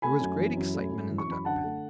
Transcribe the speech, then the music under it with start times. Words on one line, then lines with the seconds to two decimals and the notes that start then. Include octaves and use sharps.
There was great excitement in the duck pen.
0.02 A3 G#5 B5
0.20 F#2
0.38 E3
0.57 F#2
0.74 A3
0.92 F#2
1.09 E3
1.18 C#6
1.28 F#2 B5
1.45 D3 F#5 A5
1.64 A3